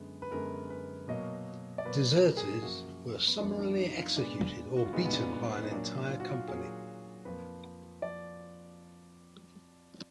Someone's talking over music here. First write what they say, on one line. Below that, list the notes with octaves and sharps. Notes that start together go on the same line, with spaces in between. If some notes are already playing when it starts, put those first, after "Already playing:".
Deserters were summarily executed or beaten by an entire company.
Already playing: F#2 D3 G#3 B3
B4
F#2 D3 G#3 B3 A#4
B4
B2 F#3 A#3 D#5
D5
B2 F#3 A#3 B4
A#4
A#4
G#4
F#2 F3 A#3 F#4
B3
F#2 F3 A#3 D4
D4
D#4
F4
A#2 G#3 B3 D4
F#4
F4
A#2 G#3 B3 D#4
B3
D4
B3
B3
D#4
A#2 F#3 A#3 D4
F4
F#4
F4
A#2 F#3 A#3 G#4
F2 F3 A#3 B4
F3 D5